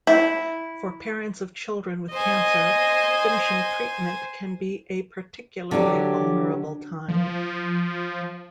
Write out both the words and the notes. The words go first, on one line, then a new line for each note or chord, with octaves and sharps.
For parents of children with cancer, finishing treatment can be a particularly vulnerable time.
E4
C5 D#5 G#5
D3 F#3 D4 G4
F3